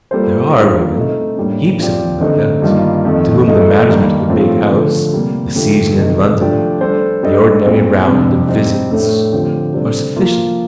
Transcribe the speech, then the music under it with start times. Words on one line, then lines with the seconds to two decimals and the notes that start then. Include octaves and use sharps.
There are women, heaps of them, no doubt, to whom the management of a big house, the season in London, the ordinary round of visits, are sufficient.
0.11 G3 A#3 F4 A4 C5
0.53 G3 D4 F4 A#4
0.96 A3 C4 D#4
1.36 A2 G3 A#3 D4
1.78 F3 C4 G4 D5
2.21 D3 A3 C4 D#4
2.62 G2 D#3 G3 A#3 F4
3.04 F2 D#3 A3
3.47 F3 A3 D#4 A4
3.88 G2 D#3 G3 A#3
4.29 A2 F3 A3 C4 F4
4.71 D3 F3 A3
5.13 C3 G3 A#3
5.55 D3 F3 A3 D4 G4
5.98 C3 D#3 A3 D#4
6.39 F3 A3 D4 G4 D5
6.81 G3 D4 A4 C5
7.23 G3 D4 A4 D#5
7.65 A#2 G3 C4
8.06 F2 C3 G3 D4
8.48 G3 C4 D#4 G4
8.90 A2 A3 D4 G4
9.32 D3 F3 C4 G4
9.74 C3 G3 D4 A4 C5
10.16 F3 A#3 F4